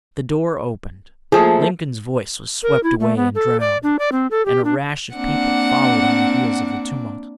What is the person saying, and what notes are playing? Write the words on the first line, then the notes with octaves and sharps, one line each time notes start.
The door opened, Lincoln's voice was swept away and drowned, and a rash of people followed on the heels of the tumult.
F3 A3 A#3 G#4
A#4
E4
A3
B3
A4
D5
D4
D5
C4
A4
G4
D4
A#3 C4 D4 F#5